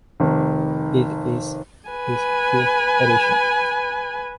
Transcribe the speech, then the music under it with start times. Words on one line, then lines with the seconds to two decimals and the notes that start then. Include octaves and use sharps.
It is his fifth edition.
0.20 F1 D#3
1.89 B4 G#5